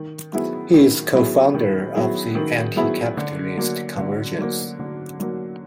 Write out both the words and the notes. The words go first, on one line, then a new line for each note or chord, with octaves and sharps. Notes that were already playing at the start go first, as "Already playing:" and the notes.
He is co-founder of the Anti-Capitalist Convergence.
Already playing: D#3
F#3 B3 E4 G#4
D#3
F#3 B3 E4 G#4
D#3
F#3 B3 E4 G#4
D#3
F#3 B3 E4 G#4
D3
F#3 A#3
D3
F#3 A#3
D3
F#3 A#3